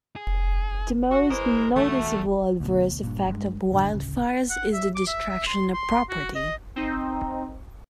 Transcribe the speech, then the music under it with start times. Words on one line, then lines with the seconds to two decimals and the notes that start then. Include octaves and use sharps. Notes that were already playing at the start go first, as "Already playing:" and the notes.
The most noticeable adverse effect of wildfires is the destruction of property.
0.16 G#4
1.11 F#4
1.30 E3 G#3 A#4 C5
1.76 E2 A3 F#4
2.60 D2 B2
3.04 G2 A#2
3.28 G2 D3 G#3
3.71 D1 A#1 G2 D3
3.94 D1 C#3
4.50 F#5
4.73 E5
4.96 D6
5.07 E5
5.30 E5
5.47 C6
5.74 C6
6.09 F#4
6.35 D#5
6.76 C4 D#4